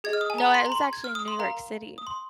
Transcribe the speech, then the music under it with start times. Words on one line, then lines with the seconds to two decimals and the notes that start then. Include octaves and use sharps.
No, I was actually in New York City.
0.04 G#4 D#5 G#6
0.13 F6
0.21 D#6
0.30 G#5
0.38 A#5
0.54 C6
0.66 A#5
0.72 C6
0.93 G#6
1.04 F6
1.15 D#6
1.28 C6
1.39 A#4 F5 A#5
1.98 D#6
2.07 C6